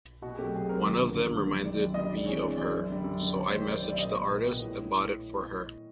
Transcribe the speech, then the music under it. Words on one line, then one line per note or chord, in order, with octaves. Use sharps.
One of them reminded me of her, so I messaged the artist and bought it for her.
B2 F#4
G#4
F#3 A3 C4 G4
B2 G#4
F#3 A3 C4 A#4
D#2
D3 F3 A#3
D#2
D3 F3 A#3
F#2
D#3 G3 D5
F#2 D5
D#3 G3 D#5
G2 D5
E3 G#3 C4 C#5
G2 D5
E3 G#3 C4 D5
F#2
D3 G3
F#2
D3 G3
F#2 C#5
D#3 G3 C5
F#2 D5
D#3 G3 D5
E5
A#2 D#5
G3 B3
A#2
G3 B3
A2